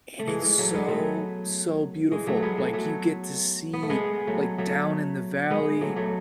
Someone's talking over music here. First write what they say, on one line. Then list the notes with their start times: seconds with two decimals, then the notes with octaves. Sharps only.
and it's so, so beautiful. Like, you get to see, like, down in the valley,
0.19 A3
0.27 E3 G#3
0.42 E3 G#3
0.58 F#3 A3
0.74 G#3 B3
0.88 F#3 A3
2.12 E3 G#3
2.27 F#3 A3
2.42 G#3 B3
2.58 F#3 A3
2.73 F#3 A3
3.73 B3
3.83 A3
3.90 G#3 B3
4.27 F#3 A3
4.58 F#3 A3
5.50 G#3 B3
5.81 F#3 A3
5.96 F#3 A3